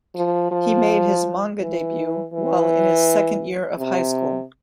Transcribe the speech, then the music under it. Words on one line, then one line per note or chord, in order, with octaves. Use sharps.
He made his manga debut while in his second year of high school.
F3
F3
E3
E3
C3